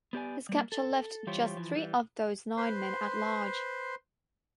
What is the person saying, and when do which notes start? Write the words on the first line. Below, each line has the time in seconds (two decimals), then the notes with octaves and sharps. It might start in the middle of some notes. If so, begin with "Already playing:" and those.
His capture left just three of those nine men at large.
0.13 B3 G4 D5 G#5
0.49 G3 A#3
0.72 A4
1.27 E3 G3 F4 G4 C5 C#5
1.57 E3 F3
1.75 E3 G3
2.57 B4 C5 C6